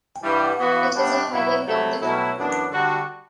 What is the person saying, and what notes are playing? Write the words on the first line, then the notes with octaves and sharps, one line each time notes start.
It is a highlight of the town.
G2 E3 G3
E3 B3 F#4
A2 G3 B3 D4
B2 F#3 B3 E4
C3 F#3 A3 E4
B2 F#3 A3 E4
F#2 E3 B3 D4
D3 G3 D4 F#4